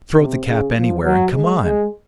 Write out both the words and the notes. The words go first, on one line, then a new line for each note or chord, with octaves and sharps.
"Throw the cap anywhere and come on!"
C3
C#3
F3
F#3
G#3
G#3